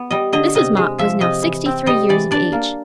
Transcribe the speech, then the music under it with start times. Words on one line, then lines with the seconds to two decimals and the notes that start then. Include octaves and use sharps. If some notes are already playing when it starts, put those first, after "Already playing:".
Mrs. Mott was now sixty-three years of age.
Already playing: B3
0.11 G3 D#5
0.33 D3 D#5
0.55 C3 D#5
0.77 G#3
0.98 F3 E5
1.20 C3 D#5
1.42 E3
1.66 C4
1.86 G3 D#5
2.09 E3 D5
2.31 D4 D5
2.52 A#3